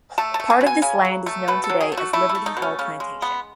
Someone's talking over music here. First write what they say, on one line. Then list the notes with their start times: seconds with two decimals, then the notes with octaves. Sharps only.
Part of this land is known today as Liberty Hall Plantation.
0.18 A3 A5
0.34 A5
0.40 A3
0.50 G#5
0.61 B2
0.66 G#5
0.82 C#3 G#5
1.05 F#3
1.26 A3
1.48 B2 B4
1.64 A4
1.70 F#3
1.81 G#4
1.92 A3
1.97 F#4
2.13 A3 E4
2.29 E4
2.35 A3
2.46 D#4
2.57 B2
2.62 C#4
2.79 C#3 C#4
3.00 G#3
3.22 B3